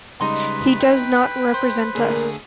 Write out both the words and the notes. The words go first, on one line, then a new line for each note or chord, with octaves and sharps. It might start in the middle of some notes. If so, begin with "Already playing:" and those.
He does not represent us.
C#3 G3 G#3 D#4 B4 D#5 C6
G5
C5
A#2 D3 A3 A#3 G#4 A#4